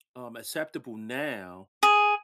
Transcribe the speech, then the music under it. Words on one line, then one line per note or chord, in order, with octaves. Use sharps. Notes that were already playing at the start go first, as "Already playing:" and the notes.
um, acceptable now
G#4